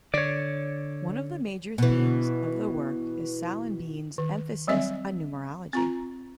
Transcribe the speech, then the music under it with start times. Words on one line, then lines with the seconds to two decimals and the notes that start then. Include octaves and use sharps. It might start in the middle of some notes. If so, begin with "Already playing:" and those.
One of the major themes of the work is Salimbene's emphasis on numerology.
0.14 D3 C#5 D5
1.78 B2 E3
4.18 D#3
4.67 F#3 G3 C4 D#5 E5
5.73 C4 F4 A#5